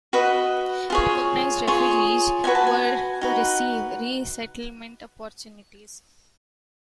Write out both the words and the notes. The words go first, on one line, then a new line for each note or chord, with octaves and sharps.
Recognized refugees were to receive resettlement opportunities.
F#4 B4 D#5
F4 G#4 C#5
F4 G#4 C#5
D#4 F#4 B4 G#5
A5
G#5
D#4 F#4 B4